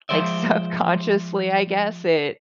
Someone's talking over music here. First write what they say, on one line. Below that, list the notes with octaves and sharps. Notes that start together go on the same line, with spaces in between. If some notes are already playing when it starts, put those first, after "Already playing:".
like, subconsciously, I guess it
F3 G#3 C5 D5 E5